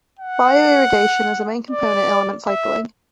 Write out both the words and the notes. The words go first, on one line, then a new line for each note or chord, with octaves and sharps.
Bioirrigation is a main component in element cycling.
F#5
D5
E5